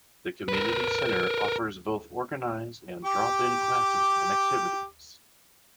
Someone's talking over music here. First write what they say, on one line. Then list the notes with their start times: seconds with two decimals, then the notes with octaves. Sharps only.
The community center offers both organized and drop-in classes and activities.
0.49 A#4 B4
3.05 G4 D6